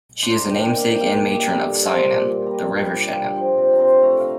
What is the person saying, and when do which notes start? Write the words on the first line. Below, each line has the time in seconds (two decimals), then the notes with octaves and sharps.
She is the namesake and matron of Sionainn, the River Shannon.
0.23 D4 C6
0.36 A#5
0.45 D#3
0.51 G5
0.67 A#3 D5
0.78 F5
0.89 D4 G5
1.01 F5
1.12 A#3 G4
1.34 G2 G4
1.56 G2 A4
1.72 A#4
1.78 G2
1.87 C5
2.01 A#2 D5
2.24 A#2
2.46 G3 A#5
2.68 G3
2.90 D4 G5
3.02 G5
3.13 D4 F5
3.24 G5
3.36 F3
3.58 C3
3.73 A#5
3.80 C3 C6
4.02 A3 A#5
4.20 F5